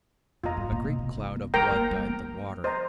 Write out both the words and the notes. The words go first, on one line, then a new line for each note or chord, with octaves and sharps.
A great cloud of blood dyed the water.
F2 F4 D#5 A#5
G2
A#2
C3
C3
D#3
F3
G3 A#4 G5 A#5
A#3
G3
F3
C5 D#5 A#5